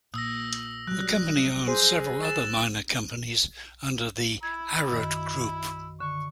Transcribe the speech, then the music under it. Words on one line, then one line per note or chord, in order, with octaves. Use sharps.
The company owns several other minor companies under the "Arad Group".
A#2 D#6 E6 A#6
F#3 G3 F#6
G#4 C5
E6 A6 E7
B5 E6 G#6
F#2 D#3
D3 C#6